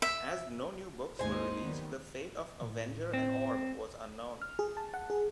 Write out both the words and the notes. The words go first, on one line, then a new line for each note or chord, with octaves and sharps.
As no new books were released, the fate of Avenger and Orb was unknown.
E5
G#1 D#2 G#3 D#4 C5 G#5
D#3 G3 B3
A2
C4
F6
G#4
A5
F#5
G#4